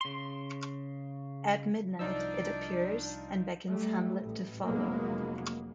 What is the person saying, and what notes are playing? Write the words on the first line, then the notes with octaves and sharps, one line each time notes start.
At midnight, it appears, and beckons Hamlet to follow.
C#3 C6
C2 F3 D4 D#4 F4 D5 E6
G3 A3
A1
F1 F#3 G#3 A#3 B3